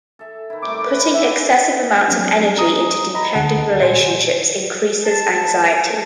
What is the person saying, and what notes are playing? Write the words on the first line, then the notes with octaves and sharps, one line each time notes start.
Putting excessive amounts of energy into dependent relationships increases anxiety.
A4 E5
D#3 E4
C3 G3 A3 D6
B4
A#3 G4
E5 G#5
F#3 C4 D4
A#5 D#6
D#5 A#5 B5
D2 D3 F#5 A5
A#2 C5 G#5
A5